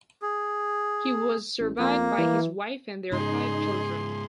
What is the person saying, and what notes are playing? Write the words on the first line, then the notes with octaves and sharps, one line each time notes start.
He was survived by his wife, and their five children.
G#4
A1
F2 A#3
E3
G#2 C#3 D#4 G#4 C6